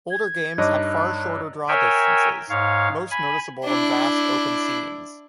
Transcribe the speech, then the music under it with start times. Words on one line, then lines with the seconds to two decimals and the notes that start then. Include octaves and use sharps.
Older games had far shorter draw distances, most noticeable in vast, open scenes.
0.11 G#6
0.58 G2 D#4 C#5 D#5 D6 F#6
1.68 A#4 C#5 E5 G5 G#5
2.50 G#2 C#5 F5
3.11 G#5 B5
3.65 D4 E4